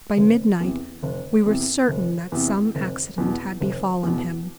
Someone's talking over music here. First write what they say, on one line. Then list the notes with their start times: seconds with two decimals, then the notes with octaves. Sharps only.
By midnight we were certain that some accident had befallen him.
0.17 F1
0.60 E2 C3
1.03 F1
1.46 E2 C3
1.88 F1
2.32 E2 C3
2.75 F1
3.18 E2 B2
3.60 F1
4.03 E2 B2